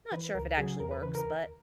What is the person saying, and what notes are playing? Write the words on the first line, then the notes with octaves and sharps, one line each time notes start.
not sure if it actually works, but
E3 B4
C#2 A#4
C#3 F#3 G#4
E2 A#4
B4
C#3 E3 B4
A#4
D#2